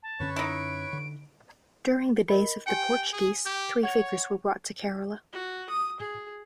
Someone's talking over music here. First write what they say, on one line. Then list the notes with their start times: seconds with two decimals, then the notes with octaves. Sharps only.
During the days of the Portuguese, three figures were brought to Kerala.
0.03 A5
0.20 F#2 D3 C#4 B4 C#5 C#6
0.36 D#4 E4 D7
0.93 D3
2.29 A#4 D#5 B5
2.67 G4 G5 G#5 C#7
3.13 G#4
3.46 G4 G6
3.83 C#5 F#5 G#6 F7
5.33 F#4
5.70 D#6
6.00 G#4